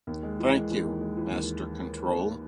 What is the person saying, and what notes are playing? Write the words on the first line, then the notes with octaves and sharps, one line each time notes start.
Thank you, Master Control.
D#2
G#3
E3
G#3
E3
D#2
G#3
E3
D#2